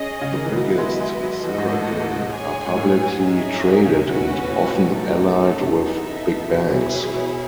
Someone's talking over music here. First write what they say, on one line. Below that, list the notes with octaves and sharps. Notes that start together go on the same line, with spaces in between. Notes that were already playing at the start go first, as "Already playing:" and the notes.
The biggest "sarakin" are publicly traded and often allied with big banks.
Already playing: C#4 G#4 D#5
C#3
D#3
E3
F#3 B3 E4 B4 D#5
F#3
G#3
G#3
F#3
E3 F#4 A4 D#5
G#2
A2
A2
G#4 C#5 G#5
G#2
A2
D#4 G#4 C#5 E5 G#5
B2
C#3
B2 C#4 F#4 B4
A2
B2
A2
A2
B2
A3 D#4 A4
B3 D#4 A4 E5
B2
B2 E4 G#4 C#5
B2